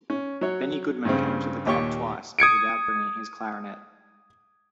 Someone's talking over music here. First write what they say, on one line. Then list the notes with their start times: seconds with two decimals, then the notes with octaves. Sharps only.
Benny Goodman came to the club twice, but without bringing his clarinet.
0.10 C#4
0.41 F#3 C#5
1.05 G2 C#3 C4
1.66 D#2 A#2 G4 C#5 G5 C#6
2.39 D#6 G#6 C#7 D7